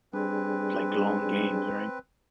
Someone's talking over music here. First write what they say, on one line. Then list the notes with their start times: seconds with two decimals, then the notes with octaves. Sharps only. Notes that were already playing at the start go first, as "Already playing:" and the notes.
like, long games, right?
0.13 G3 C4 D4 G#4 B4